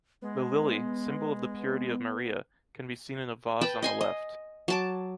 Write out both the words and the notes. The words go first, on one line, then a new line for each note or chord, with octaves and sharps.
The lily, symbol of the purity of Maria, can be seen in a vase on the left.
G#3 B3
B4 G5 A5 B5
D#5 G#5 C6
D#5
F#3 A5 D6